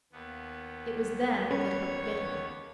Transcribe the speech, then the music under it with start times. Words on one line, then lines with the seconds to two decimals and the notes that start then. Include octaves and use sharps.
It was then that Hook bit him.
0.12 D#2 B3
1.51 C#4 A#4 B4 C#5